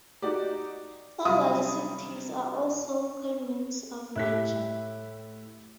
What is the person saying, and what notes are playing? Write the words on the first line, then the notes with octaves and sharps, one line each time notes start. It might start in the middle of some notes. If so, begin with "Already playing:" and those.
All larger cities are also Communes of Niger.
D#4 F#4 G4 D5
C3 F#3 G3 E5 B5 D#6
A2 E4 G4 F#6 B6